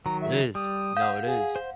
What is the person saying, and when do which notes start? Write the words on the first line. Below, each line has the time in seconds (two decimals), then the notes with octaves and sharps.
It is. No, it is.
0.06 D#3 F#3 A#5
0.21 E5
0.55 G3 D#6
0.97 F5 F#5 G6
1.26 G#4
1.56 C5